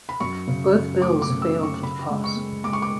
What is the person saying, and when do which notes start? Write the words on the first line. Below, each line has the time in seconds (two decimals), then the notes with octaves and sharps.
Both bills failed to pass.
0.09 B5
0.20 F#2 C#6
0.47 C#3
0.75 F#2
1.02 A3 D6
1.22 D6
1.29 C#3
1.42 E6
1.56 F#2
1.63 C#6
1.82 C#3 B5
2.10 G#3
2.24 C#6
2.36 G#3
2.64 G#3 D6
2.73 C#6
2.82 D6